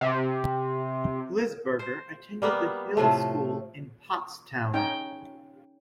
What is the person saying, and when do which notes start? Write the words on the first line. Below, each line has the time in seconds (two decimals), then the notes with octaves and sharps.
Lisberger attended The Hill School in Pottstown.
0.01 C3
1.79 C5
2.42 G3 A#3 B3
2.97 A2 C3 F3 A3
4.74 C#4 D#4 G5